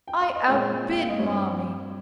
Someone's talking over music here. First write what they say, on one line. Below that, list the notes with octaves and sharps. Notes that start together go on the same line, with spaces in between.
I outbid Marmy.
G5
F5
D#5
A#2 G#3 C4 C#5
G5
F5
D#5
G2 G3 C4 C#5